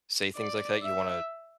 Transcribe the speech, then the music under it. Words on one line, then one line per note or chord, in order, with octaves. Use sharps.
say things like that, you want
D5
E5